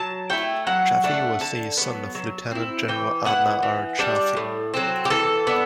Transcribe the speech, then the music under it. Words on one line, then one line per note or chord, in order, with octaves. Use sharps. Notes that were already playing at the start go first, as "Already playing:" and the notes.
Chaffee was the son of Lieutenant General Adna R. Chaffee.
Already playing: F#3 A5
A3 E4 G5
F#3 F#5
A3 D4 F#5
D3 A5
F#3 B3
F#3
C4 E4
E3 G5
B3 E4 F#5
E3
G3 D4
A2
F#3 C4
G4
E3 A4
B3 D4